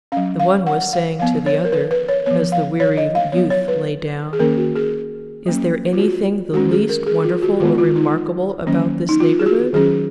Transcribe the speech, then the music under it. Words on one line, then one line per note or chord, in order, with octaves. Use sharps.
The one was saying to the other as the weary youth lay down, 'Is there anything the least wonderful or remarkable about this neighbourhood?'
F#3 C#4 F5
F5
F#5
F5
F3 B3 F5
C#5
A#4
B4
B4
C#5
F3 B3 C#5
F5
C#5
D#5
F5
F#3 B3 C#5
C#5
B4
G#4
D#3 A#3 C#4 A#4
F#4
G#4
F#3 A#3 C#4
F4
F#4
D#3 G#3 C#4 F#4
G#4
A#4
G#4
F4
F#4
D#3 G#3 B3 F4
F4
D#4
D#3 F#3 A#3 C#4
D#4
F4
G#4
F#4
D#3 F#3 C#4 G#4